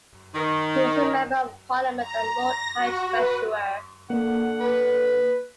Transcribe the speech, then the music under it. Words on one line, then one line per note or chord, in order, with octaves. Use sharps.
He was a Member of Parliament and Lord High Treasurer.
D#3
A#5
A#6
F#4
B4
D3 A#3 F#5
B4